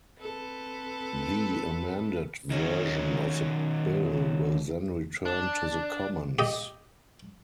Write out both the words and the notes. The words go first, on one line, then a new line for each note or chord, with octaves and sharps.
The amended version of the bill will then return to the Commons.
C4 A4 B4
D#3 F#3 C#4
D4
G4 D#5